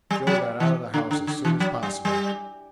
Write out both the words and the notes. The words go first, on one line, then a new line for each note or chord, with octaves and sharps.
Joe got out of the house as soon as possible.
G3
F#3
E3
D3
D3
D3
E3
F#3
G3
G3